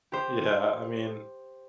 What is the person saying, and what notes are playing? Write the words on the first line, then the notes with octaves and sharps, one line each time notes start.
Yeah, I mean,
G4 C5